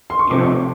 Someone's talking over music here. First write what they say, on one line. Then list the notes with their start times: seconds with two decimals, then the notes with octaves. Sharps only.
you know,
0.10 C6
0.19 C#6
0.31 C3 F3 A3 C4 D6